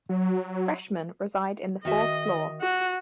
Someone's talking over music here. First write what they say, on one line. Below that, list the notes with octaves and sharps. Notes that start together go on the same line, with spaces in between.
Freshmen reside in the fourth floor.
F#3
D#3 F#4 D#5 E5
F#4